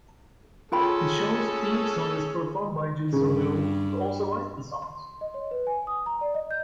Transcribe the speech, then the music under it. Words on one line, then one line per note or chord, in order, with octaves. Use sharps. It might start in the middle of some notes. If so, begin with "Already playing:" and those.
The show's theme song is performed by Jill Sobule, who also writes the songs.
C#4 F4 G#4 A4 G5 B5
G2 C#3
C6
D#5
C#5
B4
G#5
D#6
A#5
D5
D#5
G6